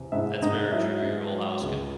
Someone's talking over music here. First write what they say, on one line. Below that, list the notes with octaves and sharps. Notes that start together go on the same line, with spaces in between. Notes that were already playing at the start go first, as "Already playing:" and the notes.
That's very true, your whole house could
Already playing: E2 C3
G#2 E4 E5
G#2 D#4 D#5
F#3 E4 E5
G#2
F#3
C#2